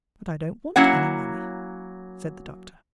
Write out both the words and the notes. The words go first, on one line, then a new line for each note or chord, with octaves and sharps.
"But I don't want any money," said the Doctor.
F#3 A#3 C#4 E4 F#5